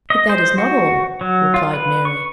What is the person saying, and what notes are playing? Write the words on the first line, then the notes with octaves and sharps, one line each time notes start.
"But that is not all," replied Mary.
D#5
C5
F#4
F#3
F4
B4
C#6